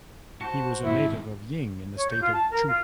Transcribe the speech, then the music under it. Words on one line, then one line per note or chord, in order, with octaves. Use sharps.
He was a native of Ying in the State of Chu.
F#4 C5 A5
G#2 D#3 E4
C#5
G6
F4
A5
A#4
F4